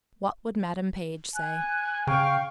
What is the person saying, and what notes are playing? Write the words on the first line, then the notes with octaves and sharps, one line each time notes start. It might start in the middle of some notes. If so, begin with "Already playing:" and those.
What would Madam Page say?
G#5 F#6
C#3 F5 G5 C#6